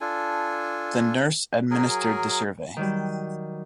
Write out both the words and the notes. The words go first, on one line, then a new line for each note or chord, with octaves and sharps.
The nurse administered the survey.
D4 F4 A4 G#5
F#3 G#4 A#4 G#5
D#3 F#3 G3